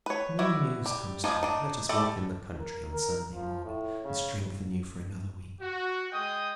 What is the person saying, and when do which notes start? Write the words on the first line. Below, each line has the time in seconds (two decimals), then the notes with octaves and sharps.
If no news comes to-morrow, let us walk in the country on Sunday morning, and strengthen you for another week.
0.06 B4 C#5
0.39 E4 F#4 B4 D5
0.86 G3
1.24 F3 G3 G#3 D#4 F4
1.43 D4 D#4
1.89 G3 A3 A4 D5
2.59 A#4
2.92 A#4
3.34 F3
3.65 A2
4.04 C#3
5.61 F#4
6.12 G#3 D#5 G5 D#6